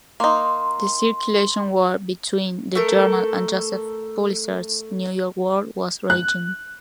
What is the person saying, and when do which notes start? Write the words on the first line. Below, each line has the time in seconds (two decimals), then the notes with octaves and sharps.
The circulation war between the "Journal" and Joseph Pulitzer's "New York World" was raging.
0.20 A#3 D#4 C6
2.75 A3 A4 A#4
6.10 F#6